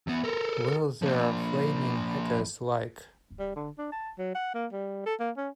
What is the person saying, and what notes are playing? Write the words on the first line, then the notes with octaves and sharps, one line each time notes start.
Will there flamin' heck as like.
E2 B3
A4 A#4
F3 A#3
G3
D3
D4
A5
F#3
F#5
A#3
G3
A4
A#3
C#4